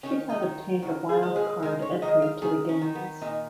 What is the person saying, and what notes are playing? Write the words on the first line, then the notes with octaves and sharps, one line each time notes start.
She had obtained a wildcard entry to the Games.
D#3 C#4
D#4
D#3
D#3 F#4
G#4
G#3
G#4
G#3 A#4
C#5
D#3 D#5
F5
D#3 G#4
C#4
D#3
B3
A#2 D#4